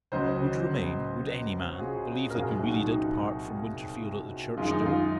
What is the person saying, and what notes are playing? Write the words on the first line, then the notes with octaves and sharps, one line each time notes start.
Would Romayne--would any man--believe that you really did part from Winterfield at the church door?
C#2 C#3 F#3 C5 D#5
F#4
F4 G#4
A#4
C2 A#2 F#3 F4 G#4
D#4 F#4
D#4
F#2 D#3 G#3 F4
D#4
F4